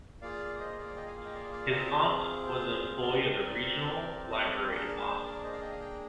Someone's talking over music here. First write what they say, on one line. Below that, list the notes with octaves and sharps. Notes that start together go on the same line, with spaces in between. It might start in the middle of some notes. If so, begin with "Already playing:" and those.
His aunt was an employee of the regional library in Boston.
A#3 F4 G#4 D5 F5
C5 D#5
D5 F5
D#5 G5
F5 G#5
F5
D#5 G5
D5 F5
D5 F5
C4 F4 G#4 A#4 D5
C5
C5
C5
A#4 D5
C4 G4 C5 D#5
A#4 D5
C5 D#5
C5
C5
A#3 D4 G#4 A#4
A#4
C5
A#4 D5
C5 D#5
D5 F5
D#5 G5
F5 G#5
G5 A#5